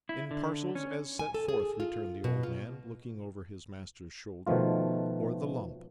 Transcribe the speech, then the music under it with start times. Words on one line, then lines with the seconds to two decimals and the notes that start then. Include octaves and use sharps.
'In parcels as set forth,' returned the old man, looking over his master's shoulder; 'or the lump.'
0.09 E4
0.31 D3
0.75 C#4
1.19 G#5
1.34 A4
1.48 G#4
1.80 F4
2.24 B2
2.43 F4
4.47 B2 D#3 F3 A3 F4